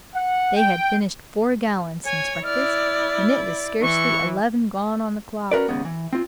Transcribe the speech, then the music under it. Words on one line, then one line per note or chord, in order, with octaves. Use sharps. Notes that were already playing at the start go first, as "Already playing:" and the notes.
They had finished four gallons since breakfast, and it was scarcely eleven gone on the clock!
F#5
G5
C#5 G#5
E4 D5 F6
E3 C#6
C#4 F#4 A#4 B4 D5
D#2 G#2 C#3 B3
E3
C4 F4